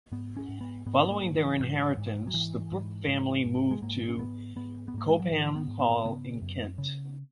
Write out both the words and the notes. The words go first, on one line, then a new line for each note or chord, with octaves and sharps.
Following their inheritance the Brooke family moved to Cobham Hall in Kent.
G#2 B3
C#4
G#2
B3
G#2 B3
A#3
G#2
E3
G#2
G#2
F#3
G#2 E3
G#2
G#2
G#2
G#3
G#2 A#3
C#4
G#2 B3
G#2 B3
B3
G#2 A#3
G#3
F#3
G#2 E3
B3
G#2
B3
C#3 B3
F#2
C#3